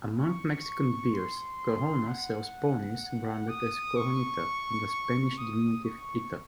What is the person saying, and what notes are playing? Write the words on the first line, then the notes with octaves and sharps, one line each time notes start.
Among Mexican beers, Corona sells ponies, branded as "Coronita", from the Spanish diminutive "-ita".
C#6
C6
F#5
D#6
C#6
D#6
C#6